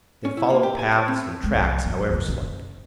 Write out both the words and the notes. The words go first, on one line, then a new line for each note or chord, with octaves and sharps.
They followed paths and tracks, however slight.
C#4
E4
A#3
G4
G#5
C5
C4
G#3
C2 F3
F#3 G#3
F2 C3
F#1 C#4